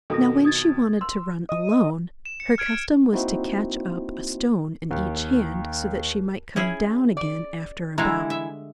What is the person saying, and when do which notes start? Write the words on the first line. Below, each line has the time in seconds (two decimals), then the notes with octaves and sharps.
Now when she wanted to run alone, her custom was to catch up a stone in each hand, so that she might come down again after a bound.
0.10 F2 B2 D#3 A4 D#6 A#6
0.45 D#6 G#6 A6
1.01 C6 E6
1.49 D#5
2.25 E7
2.40 C#7
2.58 F6 G#6 D7
3.12 A#3 C4 D#4 E4 F#4 C5
4.91 D#2
6.56 C#4 E4 G#4
7.17 D5
7.98 D3 E3 G3 G#3 E4 A#5
8.30 E5